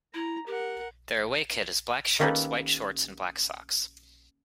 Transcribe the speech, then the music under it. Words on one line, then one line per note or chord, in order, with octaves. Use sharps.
Their away kit is black shirts, white shorts and black socks.
E4 A#5
G4 A#4 F#5
D#3 A#3 C#4 G4 A4 B4